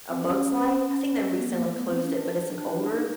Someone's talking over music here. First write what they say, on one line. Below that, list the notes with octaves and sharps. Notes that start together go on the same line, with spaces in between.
A Bug's Life? I think they recently closed it, but it's an older
C4
C#4
B3
A#3
A3
B3
C4
C#4
D4
D4
D4
D#4